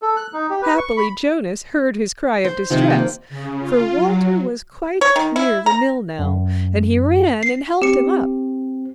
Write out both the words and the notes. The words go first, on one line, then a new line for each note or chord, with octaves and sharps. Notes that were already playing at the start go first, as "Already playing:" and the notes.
Happily Jonas heard his cry of distress, for Walter was quite near the mill now, and he ran and helped him up.
A4
F#6
D#4
G4
B4
C#6
B5
C5
C3 D#3 F3
A#3
C#3
F4
F#3
C#5
D#3
E4
A#5
F#2
C7
C4 G4 C#7